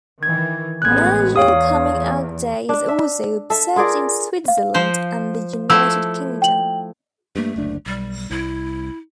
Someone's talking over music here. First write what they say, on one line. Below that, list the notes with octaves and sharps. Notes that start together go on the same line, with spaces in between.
National Coming Out Day is also observed in Switzerland and the United Kingdom.
D#3 E3 G#6
A1 G#3 B3 F#6 G#6
E2 C#5 F5 D#6
D4
E5
A4 E5
F4 G#4 A#4 D5
F5
F3 C5
F3 A3 E4 E6
G5 F#7
G2 A3 A#3
F#1 D2 D4
B1 G3
C2 E4